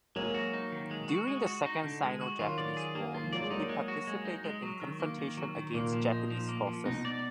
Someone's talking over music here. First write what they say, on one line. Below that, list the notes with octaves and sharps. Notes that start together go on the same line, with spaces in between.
During the Second Sino-Japanese War, he participated in confrontation against Japanese forces.
F#3 G#3 A#3
F#4
D#4
D#3
G#3
F#4
G#3
F#4
D#4
D3
G#3
F#4
D#3 F#3 F4
D5
G#4
A#3
D#3 F4
F3
F#3 D5
G#3
F#3 A#3 D#4
G#3
F#4
G#3
D#4
G#3
F#3
D#3
A#3
D#3
F#3
D#3
A#2 A#3
F3
D#4
F3
A#3
F3
B2 D#4
D5